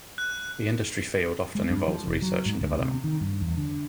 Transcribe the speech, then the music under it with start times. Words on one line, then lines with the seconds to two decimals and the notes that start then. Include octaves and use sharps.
The industry field often involves research and development.
0.18 F#6
1.55 G#3
1.70 G2
1.88 F3
2.05 F1
2.22 F#3
2.46 G#2
2.60 D2
2.79 C3
3.04 D#3
3.21 G2
3.41 E2
3.57 D3